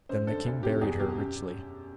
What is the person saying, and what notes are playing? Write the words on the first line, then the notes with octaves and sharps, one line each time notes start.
Then the king buried her richly.
F#2 C5
D3 A4
D2
C3 D#3 G4
E2 G#4
B2 G4
F#2